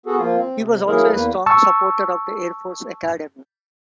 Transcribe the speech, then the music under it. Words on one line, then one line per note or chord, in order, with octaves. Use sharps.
He was also a strong supporter of the Air Force Academy.
B3 F#4 G#4 A4
F3 A#3 F4
C4
C3
E3 F#3 A#3 E4 G#4 A#4
E2 A#3 B4
A5 C#6 E6